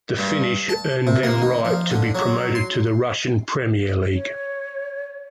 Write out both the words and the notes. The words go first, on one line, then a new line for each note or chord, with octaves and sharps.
This finish earned them right to be promoted to the Russian Premier League.
G2
A5
C3
A#3
D#3
F3
D3
F#3
C6
C#5